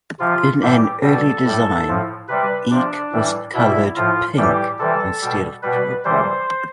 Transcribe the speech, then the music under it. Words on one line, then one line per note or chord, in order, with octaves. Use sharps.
In an early design, Eek was colored pink instead of purple.
C3 F3 F4
A2 E3 G3 G4
B2 G3 A4
A2 G3
A2 F3
C3 G3 B4
C3 F3 D4
A2 E3 G3
B2 G3 E4
A2 F3 F4
A2 E3 G3 G4
C3 E3 G3 A4
B2 G3
B2 G3 B4
C3 E3 G3 C5